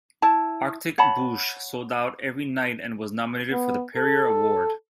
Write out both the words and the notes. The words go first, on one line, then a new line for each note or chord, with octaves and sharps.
"Arctic Boosh" sold out every night and was nominated for the Perrier Award.
E4 A5
C#5 F#5 A5 B5
B3
A4